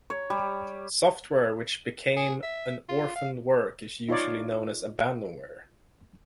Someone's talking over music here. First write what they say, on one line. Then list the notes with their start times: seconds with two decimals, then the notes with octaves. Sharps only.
Software which became an orphaned work is usually known as "abandonware".
0.10 C#5
0.30 G3
2.17 G#4
2.43 E5
2.89 F4
3.16 F5
4.09 D#4 F4 C#5 D5